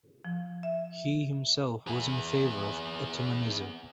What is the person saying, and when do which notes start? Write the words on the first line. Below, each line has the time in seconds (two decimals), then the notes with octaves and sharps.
He himself was in favour of Ottomanism.
0.25 F3
0.63 E5
1.87 B3 G#4